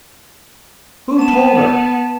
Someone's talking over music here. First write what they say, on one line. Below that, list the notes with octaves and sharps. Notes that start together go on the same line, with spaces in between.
"Who told her?"
B3 A5 E7